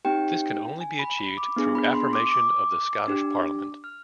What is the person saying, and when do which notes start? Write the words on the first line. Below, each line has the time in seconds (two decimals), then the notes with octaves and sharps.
This can only be achieved through affirmation of the Scottish Parliament.
0.05 C4 D#4 G4 G5
0.80 G#5
0.99 B5
1.19 B5
1.38 D6
1.56 B3 D4 G#4
1.75 B5
1.94 C6
2.13 D6
2.32 D6
3.08 D4 G4
3.84 F6